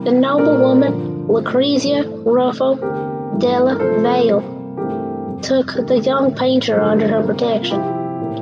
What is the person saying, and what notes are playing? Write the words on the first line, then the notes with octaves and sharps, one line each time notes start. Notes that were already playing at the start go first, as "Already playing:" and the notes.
The noblewoman Lucrezia Ruffo Della Valle took the young painter under her protection.
Already playing: C3 E3 G3 A#3
A#2 A3 C4 A#4 D5
G2 D3 F3
A#2 A3 C4
G2 E3 A3 A4 C5
C3 E3 A3
C5
E2 D3 A3 C4 G4 A#4
G2 E3 A3
A#4
C3 F3 A3 A4 C5
C3 G3 A#3
G2 E3 A3 C4 G4 A#4
F2 C3 G3
G2 D3 A3 G4 A#4
A2 E3 A#3
G2 D3 F3 A#3 A4 C5
C3 G3 A#3
F4
C3 F3 C4 E4 G4
A2 E3 A#3